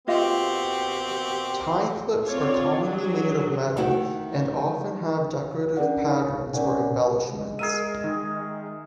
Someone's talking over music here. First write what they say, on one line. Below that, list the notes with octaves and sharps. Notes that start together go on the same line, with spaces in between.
Tie clips are commonly made of metal and often have decorative patterns or embellishments.
B2 A#3 C4 F4 G4 D#5 F5
C4 F4 C#5 D5
F#3 D4 G#4
D#3 A3 E4 F#4
C#4 D4 G#4 A#4 D5 F#5
D#4 G#4 C#5
C#4 A#4 C#5 D5 F#5 G#5
G#3
G#4 A#4 E5 D#7
D#3